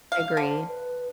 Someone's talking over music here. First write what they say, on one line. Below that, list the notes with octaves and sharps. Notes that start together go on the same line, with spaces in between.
I agree.
F5
D3 C5
B4